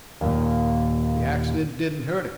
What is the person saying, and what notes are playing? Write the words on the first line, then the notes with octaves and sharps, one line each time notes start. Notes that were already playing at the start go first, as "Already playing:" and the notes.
The accident didn't hurt him.
D#2 A#2